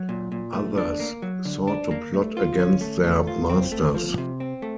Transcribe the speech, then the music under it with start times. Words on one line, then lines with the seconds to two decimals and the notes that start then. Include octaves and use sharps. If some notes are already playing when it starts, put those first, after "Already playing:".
Others sought to plot against their masters.
Already playing: F#3
0.09 A#2
0.32 A#2
0.54 A3
0.78 D4
1.00 A#3
1.22 F#3
1.45 D3
1.68 D4
1.91 A#3
2.14 A3
2.37 F4
2.59 C#4
2.81 A3
3.04 A3
3.27 F4
3.50 C4
3.72 A3
3.95 F3
4.18 C3
4.40 C4
4.62 A3